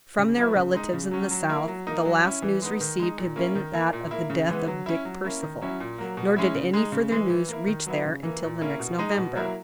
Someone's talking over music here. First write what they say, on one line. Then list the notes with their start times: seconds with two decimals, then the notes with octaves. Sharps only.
From their relatives in the South the last news received had been that of the death of Dick Percival, nor did any further news reach there until the next November.
0.18 C#3
0.37 F#3 B3 E4
0.56 C#3
0.74 G#3 D#4
0.93 C#3
1.11 F#3 C#4
1.31 F#3
1.49 A#3 E4
1.68 F#3
1.87 A#3 D#4
2.05 F#3
2.24 C#4 E4
2.42 E3
2.62 G#3 B3 D#4
2.81 D#3
2.99 G#3 D#4
3.18 A#2
3.36 A#3 C#4 E4
3.55 D#3
3.73 A#3 E4
3.93 A#2
4.11 A#3 E4
4.30 C#3
4.49 E3 G#3 B3
4.68 F#3
4.86 C#4 E4
5.05 F#3
5.24 A#3 C#4 E4
5.42 D#3
5.61 F#3 C#4 E4
5.80 A#2
5.98 F#3 A#3
6.17 B2
6.36 G#3 C#4 E4
6.55 C#3
6.73 G#3 D#4
6.92 C#3
7.11 E3 G#3
7.30 E3
7.48 A#3 E4
7.67 D#3
7.86 F#3 B3 E4
8.05 C#3
8.23 E3 A#3
8.43 A#2
8.61 A#3 C#4 E4
8.79 B2
8.99 G#3 D#4
9.17 B2
9.35 F#3 A#3 E4